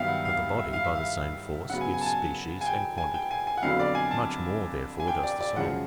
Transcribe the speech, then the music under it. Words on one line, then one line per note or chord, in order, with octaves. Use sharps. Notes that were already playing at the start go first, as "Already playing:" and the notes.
But the body by the same force gives species and quantity; much more, therefore, does the soul.
Already playing: G2 D#3 F#3 B3 E5 F5
F#5
F5
E5
F5
E5
F5
C#3 F#3 B3 F#5
G#5
G#5
A5
G#5
G#5
G5
G#5
G5
G#5
G#5
F#5
F2 D3 F#3 B3 F5
D5
G#5
A5
G#5
G5
D5
D5
F#2 C#3 F3 G#3 F#5